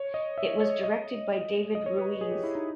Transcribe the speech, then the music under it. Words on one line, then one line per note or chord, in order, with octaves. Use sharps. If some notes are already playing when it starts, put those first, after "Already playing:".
It was directed by David Ruiz.
Already playing: C#5
D#5
E5
C#5
D#5
D#5
C#5
B4
G#4
G4
E4
D#4